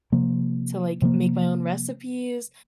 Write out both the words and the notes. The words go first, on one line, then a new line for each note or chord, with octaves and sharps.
to, like, make my own recipes,
C3 F3 A#3
C3 F3 A#3